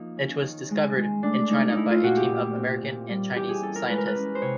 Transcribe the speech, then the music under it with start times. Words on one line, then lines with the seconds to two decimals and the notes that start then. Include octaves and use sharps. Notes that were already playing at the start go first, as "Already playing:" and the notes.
It was discovered in China by a team of American and Chinese scientists.
Already playing: F3 A#3 D#4
0.17 C#4
0.43 D#3
0.70 G#3
0.96 G#3
1.23 A3 D4
1.50 A3 D#4
1.69 D#4
1.76 A3 E4
1.90 F4
2.04 A#2 F#4
2.17 G4
2.29 A#2
2.56 C4
2.83 A#2
3.09 G3
3.35 E3 G4
3.49 G#4
3.62 C#4 A4
3.76 A#4
3.89 G#3 B4
3.98 A#4
4.06 B4
4.15 C#4
4.35 C5
4.42 C3 C#5